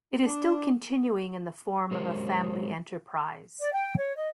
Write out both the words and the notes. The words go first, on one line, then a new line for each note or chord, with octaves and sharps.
It is still continuing in the form of a family enterprise.
D4
F#3 G#3 G4 A#4 C5 C#5
D5
G5
C#5
D#5